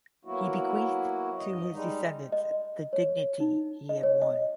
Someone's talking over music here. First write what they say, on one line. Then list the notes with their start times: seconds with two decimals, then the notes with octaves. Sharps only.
He bequeathed to his descendants the dignity he had won.
0.25 F#3 A#3 B3 E4 F#4
1.38 G2 D#5
1.72 G3 G#3 D#4
2.32 D#5
2.93 C#5
3.40 D#4
3.89 D#5
4.03 C#5
4.22 D#5